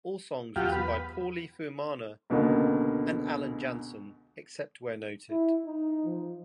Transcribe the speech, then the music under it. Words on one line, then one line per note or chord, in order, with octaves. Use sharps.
All songs written by Pauly Fuemana and Alan Jansson except where noted.
E2 F#3 F4 G4
B4
C#2 B2 D3 A#3
E4
D#4
F3